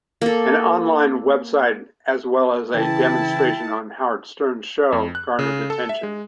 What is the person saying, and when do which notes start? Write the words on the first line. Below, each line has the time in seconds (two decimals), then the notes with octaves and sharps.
An online website as well as a demonstration on Howard Stern's show garnered attention.
0.21 A#3 A4
2.75 C#3 E3 E4 G5 A5
4.92 F2
5.15 F#6
5.39 C#3
5.70 A4
5.89 E5
6.03 G#3